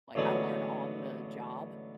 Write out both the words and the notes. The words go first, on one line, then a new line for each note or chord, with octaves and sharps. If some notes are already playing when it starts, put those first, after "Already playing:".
like I'll learn on the job
A1 D3 F#3 G#3 B3 G#5